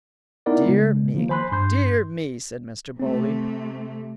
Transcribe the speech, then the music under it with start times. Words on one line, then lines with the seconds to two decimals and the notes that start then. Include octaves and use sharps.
"Dear me, dear me," said Mr. Bowley.
0.46 B3 D#4 E4 A#4 D5 F#5
0.65 C#3 G#3
1.15 D#3 F3 A#3
1.29 C5 G#5 B5 C6 F#6
1.52 G2 C6 G6
2.99 C3 A3 C4